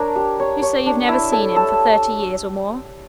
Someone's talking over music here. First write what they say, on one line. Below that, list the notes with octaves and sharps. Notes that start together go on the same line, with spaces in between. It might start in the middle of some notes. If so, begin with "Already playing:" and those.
You say you've never seen him for thirty years, or more?
Already playing: D4 A#4 C#5
G4
C#5
C#5
D4
E4
A4
A4